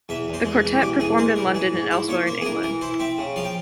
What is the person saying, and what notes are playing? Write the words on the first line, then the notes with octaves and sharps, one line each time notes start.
The quartet performed in London and elsewhere in England.
E2 E5
E2
C5
G#3
E3
E2 G4
E3 G#4
G#3 C5
E3 A#4
E3 G#4
G#2
E4 C5
A#3 C#5
A#3 C5
G#4
E3 A#4
E3 A#4
E4 C5
C4 E5
C#3
F3 F5
G5